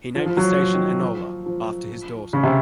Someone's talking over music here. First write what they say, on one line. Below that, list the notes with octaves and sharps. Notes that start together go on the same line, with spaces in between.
He named the station "Enola", after his daughter.
F3
F3
F#3
F3
D#3
F3
F3
C#3
C3